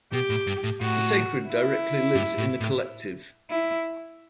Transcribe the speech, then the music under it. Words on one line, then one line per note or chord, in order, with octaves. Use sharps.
The sacred directly lives in the collective.
B2 G4
A2
G2
A2
A2 F#4
E4
G2
A2
A2
E4